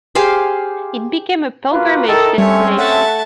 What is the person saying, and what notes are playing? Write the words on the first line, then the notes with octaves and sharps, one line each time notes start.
It became a pilgrimage destination.
G4 G#4 C5 F5
A#3 F4 F#4 B4
D#3 D#4 E4 A4 A#4
G3 A3 C4 C#4 C#5 G#5
A3 E5 F#5 A5